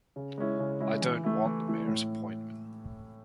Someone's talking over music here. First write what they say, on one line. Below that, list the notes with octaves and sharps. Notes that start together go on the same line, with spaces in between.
I don't want the mayor's appointment.
C#3
G#3 C#4 E4
C#3
G#3 C#4 E4
E3
A3 E4
E3
A3 E4
A2